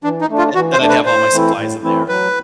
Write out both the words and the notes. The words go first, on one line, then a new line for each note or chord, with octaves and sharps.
and and I'd have all my supplies in there, and
E3 D4
D#4
A3 D4
F4
E3 F#4
C5
A3 D4
B4
A2 C5
E3 A3 C4 E4
A2
E3 A3 C4 E4
F#3 B4